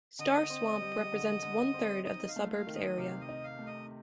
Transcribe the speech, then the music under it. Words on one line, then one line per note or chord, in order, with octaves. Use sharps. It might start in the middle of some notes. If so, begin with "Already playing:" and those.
Star Swamp represents one-third of the suburb's area.
D3 D#5
C4
G3
D3
D3
C4
D#4 D#5
F5
A3
F5
D#3
D#5
C3 F5
D#5
D#4
F5
A3
D#5